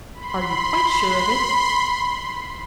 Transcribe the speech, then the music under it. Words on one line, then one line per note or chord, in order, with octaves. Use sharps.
"Are you quite sure of it?"
B5 C6